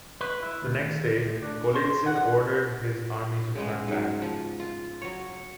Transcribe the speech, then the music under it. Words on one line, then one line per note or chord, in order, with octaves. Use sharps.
The next day, Golitsyn ordered his army to turn back.
B4
E4
D2
D#3
D2
A2
D4
C5
F#5
C#3 G#3 B3
G#2 F#3
F3
F4
F#3 C#5